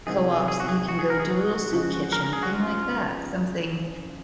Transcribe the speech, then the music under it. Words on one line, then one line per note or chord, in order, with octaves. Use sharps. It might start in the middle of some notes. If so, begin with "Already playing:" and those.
co-ops, you can go do a little soup kitchen, thing like that, something
C3 D#3 F#3 C4 D#4 G#4
G#4
F#4
G#4
F#4
G#4
A#4
G#4
F#4
C#3 F3 G#3
A#4
A#4
G#4
F#4
F4